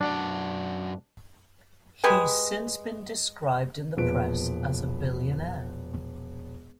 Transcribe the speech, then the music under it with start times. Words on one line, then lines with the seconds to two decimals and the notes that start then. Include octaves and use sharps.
He's since been described in the press as a billionaire.
0.01 F#2 D4 F#4 D5
2.04 G#3 G4 B4 G#5
3.97 E1 A#2 F3 B4 D7